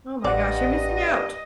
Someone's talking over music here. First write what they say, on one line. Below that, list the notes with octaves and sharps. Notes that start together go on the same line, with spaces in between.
Oh my gosh. You're missing out.
A1 G2 C5 D5 D#5 F#5